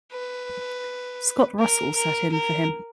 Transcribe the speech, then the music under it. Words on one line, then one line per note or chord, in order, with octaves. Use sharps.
Scott Russell sat in for him.
B4
A#4
A#4
A#4